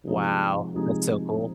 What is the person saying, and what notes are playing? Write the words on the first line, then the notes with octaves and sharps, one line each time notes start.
Wow. That's so cool.
C3 F3 G#3 D#4 G#4
C3 F3 G#3 D#4 G#4